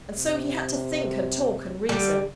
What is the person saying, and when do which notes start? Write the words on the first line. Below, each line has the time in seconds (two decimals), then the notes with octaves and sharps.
And so he had to think, and talk, and reason.
0.15 C3
1.89 D3 G3